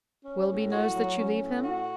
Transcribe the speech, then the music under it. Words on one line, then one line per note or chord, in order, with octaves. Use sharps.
"Willoughby knows that you leave him?"
C#4
A2
F#4
F#3
C#4
A2
F#4